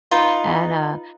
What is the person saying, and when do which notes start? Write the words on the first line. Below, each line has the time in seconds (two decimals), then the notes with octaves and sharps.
And, uh
0.11 D#4 F4 B4